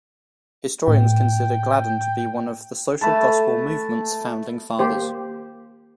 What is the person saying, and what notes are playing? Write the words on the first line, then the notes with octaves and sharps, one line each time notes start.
Historians consider Gladden to be one of the Social Gospel Movement's founding fathers.
A2 G5
A3 B4 A5
A#3 G4 C5